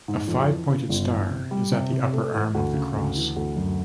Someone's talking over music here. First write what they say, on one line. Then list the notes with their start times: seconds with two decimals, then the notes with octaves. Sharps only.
A five-pointed star is at the upper arm of the cross.
0.08 G#2
0.27 F2
0.49 E3
0.69 C#3
0.89 G1
1.10 E3
1.30 C3
1.51 G3
1.72 C3
1.92 C3
2.13 A3
2.34 E3
2.55 D2
2.74 C#3
2.96 D2
3.16 E3
3.36 D2
3.57 F#2